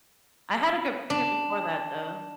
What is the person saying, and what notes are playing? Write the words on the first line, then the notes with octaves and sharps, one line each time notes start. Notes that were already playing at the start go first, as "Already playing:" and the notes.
I had a computer before that, though.
D4